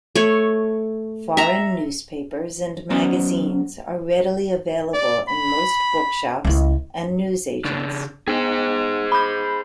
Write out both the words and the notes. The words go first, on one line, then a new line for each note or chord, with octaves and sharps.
Foreign newspapers and magazines are readily available in most bookshops and newsagents.
A3 C#5
E5 A#5
F#3 B3 C#4 C5 D5
D5
B5
C#2 E4
C#3 D4
B3 G#4 C5
B5 G6